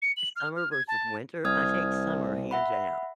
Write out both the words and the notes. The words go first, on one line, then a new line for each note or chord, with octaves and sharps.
Summer versus winter, I take summer hands down,
C#7
F#7
F6
F6
G#6
A5
C2 D#6 F6 G#6
E5 F#5 B5